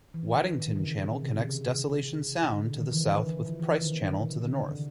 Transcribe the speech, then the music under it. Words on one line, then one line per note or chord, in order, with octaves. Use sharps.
Waddington Channel connects Desolation Sound to the south with Pryce Channel to the north.
E3
D#3
C#3
C3
C#3
D3
D3
D#3
E3
F3
E3
D#3
D3
C#3
C3
D3
D3